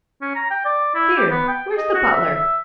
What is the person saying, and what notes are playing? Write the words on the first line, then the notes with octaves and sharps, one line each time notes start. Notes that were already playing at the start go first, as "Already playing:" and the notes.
'Here! where's the butler?
C#4
A#5
G5
D5
E4
G4
B3
G5
D#5
F#4
E5
E5